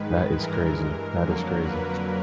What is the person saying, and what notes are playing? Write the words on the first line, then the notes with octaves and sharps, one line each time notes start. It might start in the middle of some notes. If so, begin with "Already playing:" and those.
That is crazy. That is crazy.
Already playing: G#2 D#3 G#3 B4
G2 E3 G#3 A#4
F2 D3 F#3 A#3
B4